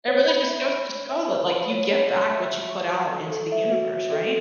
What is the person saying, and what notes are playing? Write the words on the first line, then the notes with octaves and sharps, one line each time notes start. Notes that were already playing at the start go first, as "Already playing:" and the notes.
it really just goes to show that, like, you get back what you put out into the universe, right?
C#5
B5
E5
C#5
C#5
E5
C#5
B5
C#5
C#5
C#5
E5
E5
C#6
F#4
A4
A4
E5
F#4
E5
A4